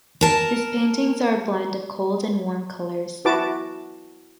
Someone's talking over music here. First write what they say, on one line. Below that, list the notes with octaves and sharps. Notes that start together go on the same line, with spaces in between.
His paintings are a blend of cold and warm colors.
A#4 A5
E4 F#4 B4 A5 D6